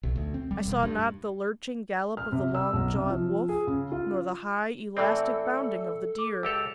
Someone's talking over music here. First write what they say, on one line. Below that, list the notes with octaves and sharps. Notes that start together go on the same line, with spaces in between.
I saw not the lurching gallop of the long-jawed wolf, nor the high, elastic bounding of the deer.
B1
D2
C4
G3
E1
G2
F6
C3
E6
B1
C3
F3
G#4
C#3
F4
A2 E3 C4 A4 D5 E5
D6
C#2 G4 A4 E6 F7